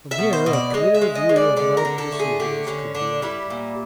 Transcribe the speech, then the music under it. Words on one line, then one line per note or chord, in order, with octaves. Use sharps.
From here a clear view of Mt. Vesuvius could be obtained.
E5
B2
C5
B2
D5
G#3 D#5
E5
G#3
D#5
G#3
D5
D3 D5
A#4
D3
A4
A3
G#4
D3 G4
D3 C#4
D3 D4
G3 E4
A#2